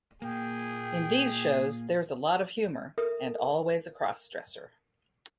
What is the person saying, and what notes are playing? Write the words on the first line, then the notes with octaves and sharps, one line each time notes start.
In these shows there's a lot of humor, and always a cross-dresser.
A#2 A#3 G#4 G5
A4 A#4 E5 D#6